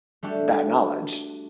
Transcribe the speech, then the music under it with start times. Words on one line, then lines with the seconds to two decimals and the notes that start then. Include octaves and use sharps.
that knowledge.
0.23 G3 A3 D4 F#4 G4